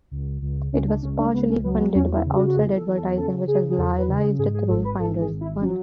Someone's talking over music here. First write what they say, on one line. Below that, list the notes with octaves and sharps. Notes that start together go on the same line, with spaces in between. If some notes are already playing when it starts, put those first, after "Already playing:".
It was partially funded by outside advertising, which was liaised through Flinders One.
C#2
C#2
C#2 C#4
D4
C#2 C#4
D4
C#2 B3
C#4
F#3 B3
B3
E2 C#4
E4
C#3
F#4
F#4
E2 G#4
A4
E2
A4
C#3 A4
C#3 G#4
G#4
E2 A4
B4
C#3
G#4
G#2 G#4
G#4
G#1 A4
B4
G#1 A4
G#4
G#1
E4
F#3 C#4